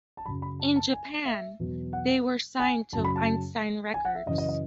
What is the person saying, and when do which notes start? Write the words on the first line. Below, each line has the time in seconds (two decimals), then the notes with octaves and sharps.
In Japan, they were signed to Einstein Records.
0.17 A5
0.25 F#2 C#3 F#3 B5
0.42 B5
0.60 A5
0.76 A5
0.93 G#5
1.25 E5
1.59 E2 B2 F#3
1.93 F#5
2.60 G#5
2.93 F#2 A5
2.96 C#3 F#3
3.04 B5
3.16 A5
3.94 G#5
4.05 F#5
4.15 E5
4.26 F#2 C#3 E3 D#5
4.38 D#5
4.49 D#5